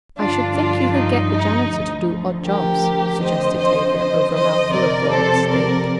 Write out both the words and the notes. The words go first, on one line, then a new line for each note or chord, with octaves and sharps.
"I should think you could get the janitor to do odd jobs," suggested Tavia, over a mouthful of broiled steak.
G2 D3 F3 D4 F4
D4 F4
D#4
D#4
D2 D3 F3
G4 A#4
F2 D3 F3 C5 D#5
C5 D#5
C5 D#5
C5 D#5
F2 C3 F3 A#4 D5
A4 C5
A#4 D5